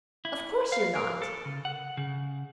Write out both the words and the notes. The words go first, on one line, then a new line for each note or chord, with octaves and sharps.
Of course you're not.
E4
F5
A#4
A4
C#3
F#5
C#3